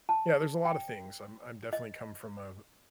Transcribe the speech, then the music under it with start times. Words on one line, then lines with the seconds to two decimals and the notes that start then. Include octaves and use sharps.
Yeah, there's a lotta things. I'm I'm definitely come from a
0.09 A5
0.65 G5
1.73 D#5